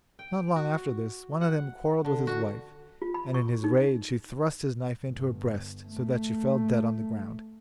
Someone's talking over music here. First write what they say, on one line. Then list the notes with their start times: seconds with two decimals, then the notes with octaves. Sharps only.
Not long after this one of them quarrelled with his wife, and in his rage he thrust his knife into her breast so that she fell dead on the ground.
0.19 G5
0.56 F#4
1.41 F#5
2.05 D3
2.27 F#4
3.02 F4
3.14 B5
3.34 C#6
3.64 D#4
5.05 G1
5.87 A3